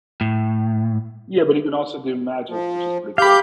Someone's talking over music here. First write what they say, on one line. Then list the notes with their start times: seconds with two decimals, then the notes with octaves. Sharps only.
Yeah, but he can also do magic, which is pretty cool.
0.21 A2
2.49 F3
3.18 G4 F5 B5 G6